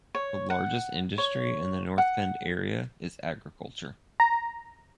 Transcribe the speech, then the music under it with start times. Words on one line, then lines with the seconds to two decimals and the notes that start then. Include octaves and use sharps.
The largest industry in the North Bend area is agriculture.
0.15 C#5
0.50 F#5
1.18 C#5
1.98 F#5
4.20 A#5